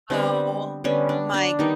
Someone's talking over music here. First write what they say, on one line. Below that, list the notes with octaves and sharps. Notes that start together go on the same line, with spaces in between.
Oh, my
D3 G3 B3 C4
D3 G3 B3 C#4
D4
D4
D#3 G3 B3 D#4